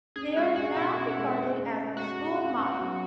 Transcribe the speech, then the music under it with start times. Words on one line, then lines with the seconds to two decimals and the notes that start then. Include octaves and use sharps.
They are now regarded as our school motto.
0.16 C#4 G#4
0.36 G#3 F#4
0.56 F#4 G#4
0.76 B2 E4
0.96 C#4
1.17 G#3
1.36 G#4
1.57 C#4
1.77 G#3
1.97 G#3 F#4
2.18 G#4
2.38 C#4
2.57 B3
2.78 F#3